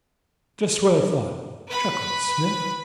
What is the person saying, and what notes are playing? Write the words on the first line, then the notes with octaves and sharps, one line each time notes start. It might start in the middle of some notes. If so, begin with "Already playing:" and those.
"Just what I thought!" chuckled Smith.
B4 B5